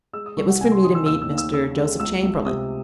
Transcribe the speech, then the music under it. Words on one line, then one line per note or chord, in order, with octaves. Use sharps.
It was for me to meet Mr. Joseph Chamberlain.
G#3 E6
D#6
C2 C#6
F#5
C3 G#5
C6
D#3 D#6
E6
D#2 E6
E6
D#2
E6
C#3 E6
G#3
C#2 E6
C#2
C3 D#6